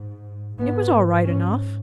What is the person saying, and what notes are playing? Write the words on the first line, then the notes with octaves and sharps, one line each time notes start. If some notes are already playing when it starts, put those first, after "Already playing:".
It was all right enough.'
Already playing: G#2
G#2 B3
C#4